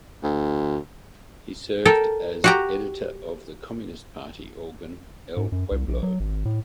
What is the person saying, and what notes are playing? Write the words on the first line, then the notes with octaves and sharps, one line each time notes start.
He served as editor of the Communist Party organ "El Pueblo".
D2
A4 A#4 G5
F#4 G4 A#5
G#2
F#2
C2
A#1
F#3
G#1
A2